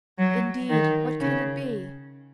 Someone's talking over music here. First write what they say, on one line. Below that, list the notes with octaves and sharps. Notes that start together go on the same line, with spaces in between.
"Indeed! what can it be?"
F#3
D#3
C#3